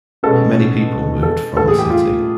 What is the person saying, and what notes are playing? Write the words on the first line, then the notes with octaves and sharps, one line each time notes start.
Many people moved from the city.
B2 G#3 C#4 A4
A4
A2 E3 G3 A4
G#4
G4
F4